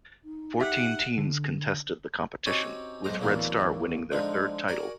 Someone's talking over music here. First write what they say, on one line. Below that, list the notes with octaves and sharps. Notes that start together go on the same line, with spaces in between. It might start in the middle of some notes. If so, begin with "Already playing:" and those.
Fourteen teams contested the competition, with Red Star winning their third title.
D#4
G4 E5 F#5
D3
C4 C#4 D#4 F#4 G4 C#5
B1 G#2 C5 A#5
D2 C#3 E3 F#3 A#3 B3
D3 F3 G#3 D4 D#4
F#4 A#4 D5 G#5